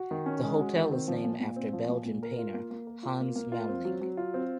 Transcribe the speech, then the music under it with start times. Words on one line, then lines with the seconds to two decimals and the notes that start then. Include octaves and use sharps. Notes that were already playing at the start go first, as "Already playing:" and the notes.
The hotel is named after Belgian painter Hans Memling.
Already playing: F#4
0.11 D#3
0.26 C#4
0.43 G#3
0.60 F#4
0.76 D#3
0.91 C4
1.08 F3
1.24 A#2
1.40 A#2
1.56 C4
1.73 F3
1.89 A#2
2.05 A#2
2.23 A#4
2.38 F4
2.54 A#3
2.71 A#3
2.87 A#4
3.03 F4
3.20 A#3
3.36 A#3
3.52 F4
3.68 C4
3.85 F#3
4.01 F#3
4.17 F4
4.34 C4